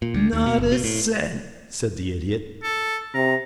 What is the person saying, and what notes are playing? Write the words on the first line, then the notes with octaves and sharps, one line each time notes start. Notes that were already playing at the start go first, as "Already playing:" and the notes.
"Not a cent," said the Idiot.
A#2
D2
D#2
B2
F#1
B2
A2
A4
C3 A#5